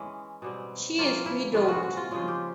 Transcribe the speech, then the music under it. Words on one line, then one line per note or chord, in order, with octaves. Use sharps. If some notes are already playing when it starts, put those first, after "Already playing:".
She is Widowed.
Already playing: E3 G#3 C#4
B2 G3 C4
F3 A#3 C#4 E4 F4
E4
C3 E3 G#3 C#4 F4
F#4
F#4
F4
C#3 F3 G#3 C#4 F4
G4